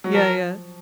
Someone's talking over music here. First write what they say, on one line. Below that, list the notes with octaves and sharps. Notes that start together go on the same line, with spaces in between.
Yeah, yeah,
F#3
F3 A#4